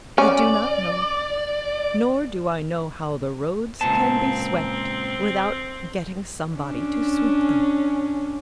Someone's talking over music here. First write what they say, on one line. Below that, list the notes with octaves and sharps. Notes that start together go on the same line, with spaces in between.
I do not know; nor do I know how the roads can be swept without getting somebody to sweep them.
C#4 D5
C#2 A#2 C4 A5
C#4 D4